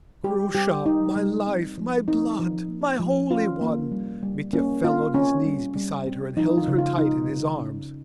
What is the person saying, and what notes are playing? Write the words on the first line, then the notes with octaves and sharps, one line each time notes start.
"Grusha, my life, my blood, my holy one!" Mitya fell on his knees beside her and held her tight in his arms.
G3 G4
G3 G4
G3 D#4
G3
C4
F3
C4 D#4
F3
A#3
F3
C#4 F4
A#3
G3
G3
A#3 C#4
A#3 F4
C4 C#4
G3
G3
C4
F3 D#4
F4
C#3
F4
G#3 D#4
C#3
C#4